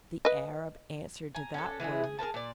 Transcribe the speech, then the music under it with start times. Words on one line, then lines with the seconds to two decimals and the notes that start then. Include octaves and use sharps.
The Arab answered to that word.
0.25 B4 D#5
1.35 G#5 A#5
1.54 C#4 D4 A4
1.80 E3 G#3 E4 G#4
2.04 G#4
2.19 G#4 A#4 B4 A5
2.34 A#2 D5